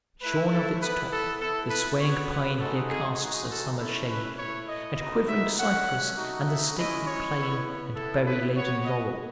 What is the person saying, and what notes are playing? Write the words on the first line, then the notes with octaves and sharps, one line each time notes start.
Shorn of its top, the swaying pine here casts a summer shade And quivering cypress, and the stately plane And berry-laden laurel.
A3 E4 B4
A4
B3 E4 B4
A4
B3 E4 A4
B4
B3 F#4 C#5
B4
G#3 D#4 F#4 A4
G#4
G#3 D#4 F#4 G#4
A4
A3 C#4 E4 A4
B4
A3 E4 C#5
D#5
B3 D#4 F#4
E5
A3 C#4 F#4 F#5
A3 D#4 F#4
E5
G#3 C#4 E4 D#5
C#5
B3 E4
B3 E4 A4
B4
B3 F#4 C#5
D#5